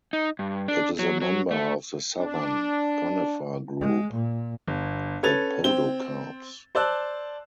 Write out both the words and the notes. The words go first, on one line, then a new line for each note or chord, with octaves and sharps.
It is a member of the southern conifer group, the podocarps.
D#4
G2
D4
F#3
F#3
A3
D4
G#3
A#2
G1
C#4 A4 B4 G#6 A6 F7
C4 G7
C5 D5 A5 E6 F#6